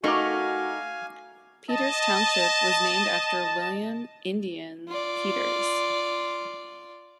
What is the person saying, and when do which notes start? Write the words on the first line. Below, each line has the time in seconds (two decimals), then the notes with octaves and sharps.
Peters Township was named after William "Indian" Peters.
0.04 A3 D#4 F#4 A#4 F5 G#5 C#6 D6
1.71 D#5 A5
4.88 F4 D5